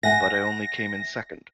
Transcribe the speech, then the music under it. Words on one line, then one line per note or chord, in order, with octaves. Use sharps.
But I only came in second.
E5 F#5 G#5 A#6